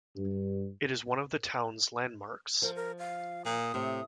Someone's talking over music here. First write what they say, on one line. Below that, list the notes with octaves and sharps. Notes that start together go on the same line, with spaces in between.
It is one of the town's landmarks.
G2
F3 A#4
A#4
F5
A#2 D#6
A2 C3